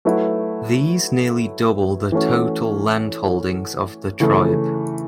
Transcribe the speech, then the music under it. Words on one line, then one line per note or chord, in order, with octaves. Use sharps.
These nearly double the total landholdings of the tribe.
F#3 A3 E4 B4
E3 A3 C#4 F#4
C#3 E3 A3